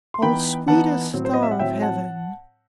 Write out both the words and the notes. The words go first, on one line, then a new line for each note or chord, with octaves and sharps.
O sweetest Star of Heaven!
C6
E3 B3 D#4 G5 B5
E3 B3 D#4 F#5 A5
A2 F#3 C4
C5
D#5
E5
F#5
A2 F#3 C4 E5 G5
F#5 A5